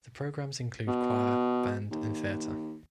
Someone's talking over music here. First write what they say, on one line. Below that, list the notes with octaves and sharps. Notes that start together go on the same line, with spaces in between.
The programs include: Choir, Band, and Theatre.
B2
D#2